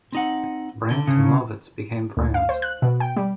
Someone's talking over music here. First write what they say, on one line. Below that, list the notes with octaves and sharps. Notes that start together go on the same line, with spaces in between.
Brandt and Lovitz became friends.
C4 D#4 F#5
D3
C#3
D2
F5
C5
F#6
B2
G5
G3